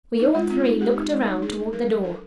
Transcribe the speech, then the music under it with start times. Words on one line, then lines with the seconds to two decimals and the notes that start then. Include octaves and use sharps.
We all three looked around toward the door.
0.19 D#4 E4
0.35 G#3 F4
0.50 C4 F4
0.66 D#4
0.81 G#3 G4
0.96 D#4
1.12 G#3
1.27 D#4
1.42 D4 G#4
1.58 D4
1.73 F#3 A#4
1.89 F#3
2.03 D4 A4